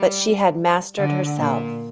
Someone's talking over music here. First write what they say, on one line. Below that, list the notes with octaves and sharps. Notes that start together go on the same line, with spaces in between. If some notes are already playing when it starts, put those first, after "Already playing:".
But she had mastered herself.
Already playing: G3
D3
A#2